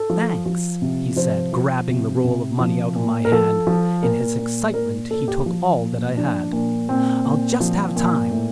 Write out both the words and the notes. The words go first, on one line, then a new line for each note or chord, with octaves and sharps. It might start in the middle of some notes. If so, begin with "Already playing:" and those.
"Thanks," he said grabbing the roll of money out of my hand,--in his excitement he took all that I had.--"I'll just have time."
Already playing: A4
F3
F3
C3
F3 C5
F3
C3
C3
F3
A#2
A#4
F3 A4
F3
A#2 A#4
A#2
A#2 A#4
A#2 A4
G4
F3
A#2
F3 D4
A#2
A#2 C4
A#2
F3
A#2
A2